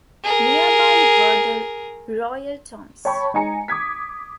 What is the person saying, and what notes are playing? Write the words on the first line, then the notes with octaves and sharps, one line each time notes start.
Near by were the royal tombs.
G#4 A#4
C#5 G5 A5 B5 C#6
G#3 D#4 G#5 A#5 C#7
D6 D#6 G#6 B6